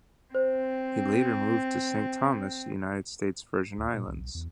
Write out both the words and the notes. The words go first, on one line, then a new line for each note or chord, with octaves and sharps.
He later moved to Saint Thomas, United States Virgin Islands.
C4 C5
D2
A#2
C2
B1
E2